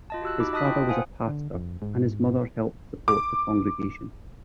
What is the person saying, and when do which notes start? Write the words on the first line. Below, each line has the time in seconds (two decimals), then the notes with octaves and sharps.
His father was a pastor and his mother helped support the congregation.
0.10 F4 D#5 A5
0.22 F#4 G4 E6 F#6
0.39 D#4 F#4 B5 D6
0.53 D#5 A5 D#6 F#6 B6
0.65 E4 F4 G5 A5
0.89 C5 F5 F#5 G#5 D#6 F#6
1.27 D3
1.54 F2
1.82 G#2
3.08 D6